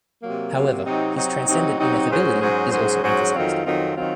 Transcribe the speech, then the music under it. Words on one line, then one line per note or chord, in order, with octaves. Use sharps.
However, his transcendent ineffability is also emphasized.
C3 F#3 A#3
C3 F#3 A#3
C3 F#3 C4 D#4
C3 F#3 C4 D#4
C3 F#3 C4 D#4
C3 F#3 C4 D#4
G#2 F#3 C#4 G#4 C5
G#2 F#3 C#4 G#4 C5
G#2 F#3 C#4 G#4 C5
G#2 F#3 C#4 G#4 C5
F2 D#3 F#3 C4 F4
F2 D#3 F#3 C4 F4
D#3 F#3 C4 F4